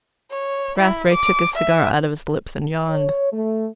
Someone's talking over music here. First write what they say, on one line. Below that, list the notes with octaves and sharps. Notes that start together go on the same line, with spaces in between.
Rathbury took his cigar out of his lips and yawned.
C#5
E4
D6
E5
C#5
A3